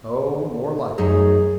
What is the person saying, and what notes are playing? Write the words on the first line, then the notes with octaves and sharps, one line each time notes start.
No; nor likely to be.
F#2 A3 D#4 G#4